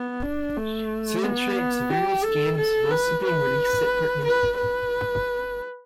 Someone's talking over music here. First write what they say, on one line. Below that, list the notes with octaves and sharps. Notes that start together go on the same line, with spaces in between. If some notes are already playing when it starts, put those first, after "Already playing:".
Soundtracks of various games have also been released separately.
Already playing: B3
D4
A3
B3
G4
A4
A4
B4
B4
B4
B4